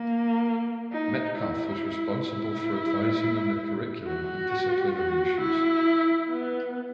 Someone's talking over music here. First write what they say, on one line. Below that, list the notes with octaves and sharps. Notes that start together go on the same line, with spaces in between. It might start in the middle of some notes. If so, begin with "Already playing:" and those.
Metcalfe was responsible for advising on the curriculum and disciplinary issues.
Already playing: A#3
D#4
E4
E4
F#4
F#4
E4
B3